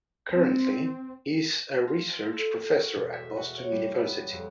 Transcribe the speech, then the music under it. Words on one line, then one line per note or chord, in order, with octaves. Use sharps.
Currently, he is a research professor at Boston University.
C4
F4
A4
F#4
E1
E5
F#4
C#5
G3
B3
F2